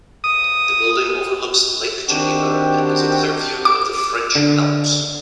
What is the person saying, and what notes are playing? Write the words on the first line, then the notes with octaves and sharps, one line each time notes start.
The building overlooks Lake Geneva and has a clear view of the French Alps.
D#6
D#3 C4 D4 F#4 G4
D6
D3